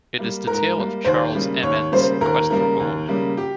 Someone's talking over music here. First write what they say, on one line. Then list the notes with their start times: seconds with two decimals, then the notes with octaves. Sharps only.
It is the tale of Charles Amand's quest for gold.
0.18 G3 A#3
0.47 G#2 A#4
0.77 G3 A#3
1.05 D#2 C5
1.34 C#3 G3 A#3
1.63 D#2 C#5
1.92 C#3 G3 A#3 C5
2.21 D#2 A#4
2.50 C#3 G3 A#3 A#4
2.80 D#2
3.08 C#3 G3 A#3
3.37 G4